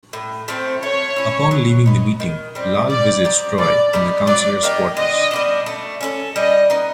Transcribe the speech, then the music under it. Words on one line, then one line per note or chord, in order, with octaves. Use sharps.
Upon leaving the meeting, Lal visits Troi in the counselor's quarters.
A2
F3 A3 C4
A3 C#5
C#4 E4
F#3
B3 D#4
D#3
G3 C4
G3 D5
C4 D#4 G4
B2 D5
G3 B3 D#4
F#3 D5
A#3 D#4 G4
D3 D#5
G3 B3 D4
A3
C#4 E4 A4
G3 D#5
B3 D#4